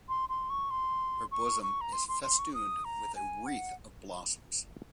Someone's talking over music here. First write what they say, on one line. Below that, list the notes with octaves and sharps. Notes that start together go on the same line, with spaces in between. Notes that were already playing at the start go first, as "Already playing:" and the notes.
Her bosom is festooned with a wreath of blossoms.
C6
C6
C#6
C6
C#6
C#6
A#5
C6
C6
C6
C#6
D#6
A#5
G#5
F#5